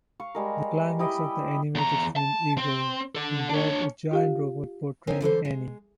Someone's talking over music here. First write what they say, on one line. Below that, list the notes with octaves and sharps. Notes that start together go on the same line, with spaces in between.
The climax of the animated film "Igor" involved a giant robot portraying Annie.
F5 C#6
G3 G#3 A#4
E4 G4 D#5 B5
E2 A#5
A5
C4
A4 D5
D4 C#5
F4 G4 F5
C4 D#4 A#4 C#5 G#5
D3 E3 A4 C5
G#3